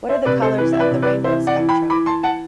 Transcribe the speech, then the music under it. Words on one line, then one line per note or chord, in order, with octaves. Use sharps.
What are the colours of the rainbow spectrum?
C5 E5
C3 B4 D5
A4 C5
E3 B4
E5
B4 D5
C3
B4 D5
E3 C5 E5
D5 F#5
E3
G5 B5
E3 B5 D6
A5 C6
F#5 A5